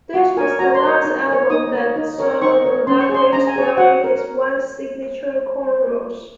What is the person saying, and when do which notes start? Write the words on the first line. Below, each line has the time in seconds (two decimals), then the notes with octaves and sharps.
This was the last album that saw Ludacris wearing his once signature cornrows.
0.14 F#4 F#5
0.37 A#4 C#5 G#5
0.59 F#4 A#5
0.75 C6
0.83 A#4 C#5
1.05 D#4
1.27 A#4 C#5
1.50 D#4 D#6
1.73 A#4 C#5
1.96 D#4
2.19 A#4 C#5
2.41 D#4 C#6
2.64 A#4 C#5
2.87 C#4 C6
3.00 C#6
3.09 G#4 C#5 C6
3.33 C#4 A#5
3.47 G#5
3.56 G#4 C#5
3.63 G#5
3.77 F#4 F#5
4.01 A#4 C#5